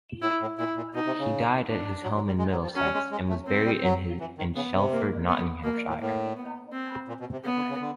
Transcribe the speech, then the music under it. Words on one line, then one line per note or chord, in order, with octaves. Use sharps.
He died at his home in Middlesex, and was buried in Shelford, Nottinghamshire.
A2 E4
A2
A#2 E4
A#2
B2 D#4
C3
C#3
D4
F#3
F#3
G3
G#3
F#3
F3
F#3 C#4
G3
G#3
G#3
A3
C4
G3
F#3
E3
D#3
C#3 B3
C3
A#3
B3
B2 A#3
A2
A2 A#3
B3
C4
A#2
B2
C3
C#3 B3
D3
C#3
D3